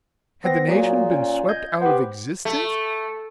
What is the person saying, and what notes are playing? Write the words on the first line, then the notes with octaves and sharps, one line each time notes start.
Had the nation been swept out of existence?
B3 C4 A#6
A#2 F#3 A#3 G#4
C#4
D#5 G6 G#6
B3 G4 C5
A3